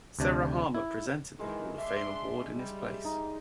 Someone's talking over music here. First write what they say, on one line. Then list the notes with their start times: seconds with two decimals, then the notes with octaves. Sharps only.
Sarah Harmer presented the Hall of Fame award in his place.
0.19 D2 C3 D4
0.75 E4
1.39 D#3 E3 G#3
1.78 D4 E5 C6
2.54 G3
3.05 D#4